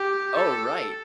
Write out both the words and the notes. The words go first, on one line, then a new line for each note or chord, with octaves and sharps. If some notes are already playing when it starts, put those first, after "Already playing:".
Oh, right.
Already playing: G4
A4